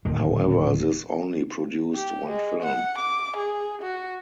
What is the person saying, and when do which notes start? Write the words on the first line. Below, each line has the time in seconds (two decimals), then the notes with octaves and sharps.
However this only produced one film.
0.05 D1 A#2 D#3
1.95 G4
2.29 G#3
2.63 F#5
2.99 D6
3.37 G#4
3.82 F#4